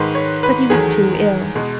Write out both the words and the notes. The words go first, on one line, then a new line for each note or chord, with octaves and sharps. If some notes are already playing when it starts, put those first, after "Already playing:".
But he was too ill.
Already playing: G#2 D#3 G#3 B4
C#5
B4
E2 D#3 F#3 A3 G#4
B2 G#3